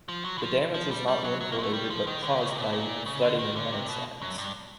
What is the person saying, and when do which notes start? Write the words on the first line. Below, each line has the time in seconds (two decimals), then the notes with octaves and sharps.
The damage was not wind related, but caused by flooding and landslides.
0.08 F3
0.24 F#3
0.38 E3
0.42 F3
0.74 F3
0.91 G3
1.08 G3
1.24 F#3
1.41 F#3
1.52 A#3
1.58 G#3
1.63 A3
1.73 G3
1.90 F3
2.07 D#3
2.23 D3
2.40 C#3
2.51 C3
2.58 A#2
2.62 B2
2.72 A#2
3.06 C#3
3.22 D3
3.39 D#3
3.56 D3
3.72 C3
3.89 B2
4.22 F#2
4.38 G2